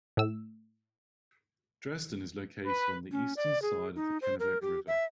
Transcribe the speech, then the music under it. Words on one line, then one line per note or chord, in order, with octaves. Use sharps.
Dresden is located on the eastern side of the Kennebec River.
A2 E6
B4
C#4
D5
G#4
D#4
C5
A#4
G4
E5